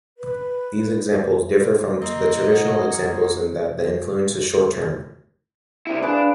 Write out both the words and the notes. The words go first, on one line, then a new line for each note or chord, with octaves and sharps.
These examples differ from the traditional examples in that the influence is short term.
B4
A#3 C4 D#5
F#4 G#4
C3 E4
D4 G#4 B4 F5